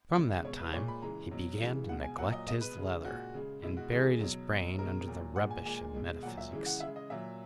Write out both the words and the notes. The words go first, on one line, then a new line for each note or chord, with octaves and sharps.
From that time he began to neglect his leather, and buried his brain under the rubbish of metaphysics.
C#3 G#3
B2 G#3 C#5
B4
A#2 G#3 C#5
B5
C#3 E3 G#3 A#5
B2 F#3
C#3 E3 G#3
B2 G#3 F#5
G#5
A#2 F#3 F#5
D#5
B2 G#3 D#5
B4
C#3 G#3
A#2 G#3 F#4
C#3 G#3
B2 G#3 E4
F#4
C#3 E3 G#3 G#4
B2 F#3
B2 F#3
B2 G#3 A#4
A#2 F#3
A#2 G#3 F#5
G#5
A#2 G#3 G#5
B2 G#3
A#2 F#3 F#5
E5
C#3 E3 G#3
F#5
C#3 G#3 E5
D#5
A#2 F#3 E5